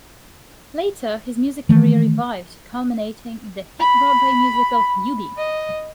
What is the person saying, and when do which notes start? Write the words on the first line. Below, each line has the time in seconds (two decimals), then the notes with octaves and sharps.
Later his music career revived, culminating in the hit Broadway musical, "Eubie!".
1.69 D#3 E3 A3
3.80 B5
5.38 D#5